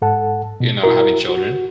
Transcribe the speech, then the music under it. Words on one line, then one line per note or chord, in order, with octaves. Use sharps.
you know, having children.
G#2 A4 F#5 A5
B2
E4 F#4 A#4
F#4